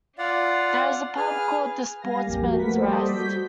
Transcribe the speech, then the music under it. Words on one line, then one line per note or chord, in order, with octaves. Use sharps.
There is a pub called "The Sportsman's Rest".
F4 D5 F5 F#5
G#4 B4 F6
G3 F5 G#5 A#6
A1 F2 A#3 G4
F3 A#3 F#4
A3 A#3 A#4 B4 F#5 B6
G3 A4 C5 D5 D#5
F#4 G6 B6